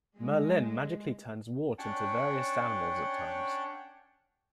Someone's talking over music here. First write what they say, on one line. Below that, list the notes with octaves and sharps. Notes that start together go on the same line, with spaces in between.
Merlyn magically turns Wart into various animals at times.
G#3
C#4 D4 C#5 F#5 G5 A5